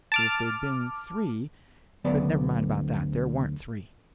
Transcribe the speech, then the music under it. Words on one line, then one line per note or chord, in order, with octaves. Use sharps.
If there'd been three--But never mind about that, there warn't three.
A5 D6 F6
D2 F#3 B3 D5